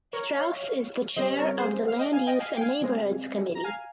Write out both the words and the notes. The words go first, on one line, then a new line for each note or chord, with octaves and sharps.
Strauss is the chair of the Land Use and Neighborhoods Committee.
A#4 C#5
C#5 F5
C#3 G3 C4 C5 D#5
A#4 C#5
G#4 C5
F5
D#5 G5
F5 G#5
D#5 G5
F5 G#5
G5
F5 G#5
C#3 G#3 C4
A#5
F5 G#5